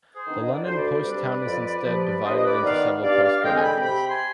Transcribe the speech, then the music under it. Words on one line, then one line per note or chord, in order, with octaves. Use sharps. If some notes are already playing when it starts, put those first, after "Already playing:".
The London post town is instead divided into several postcode areas.
G#4 C5
D#3 B3 D4
D#5
D5
D2 C5
B4 D5
C3 G3 D4
F2
C3 F3
G2 C5 D#5
D#5
B4 D5
D#3 B3 D5 F5
G2 D5 F5
D5 F5
D3 G#3 C4 D#5 G5
G#5
G5 B5
C3 G5 B5
G#5 C6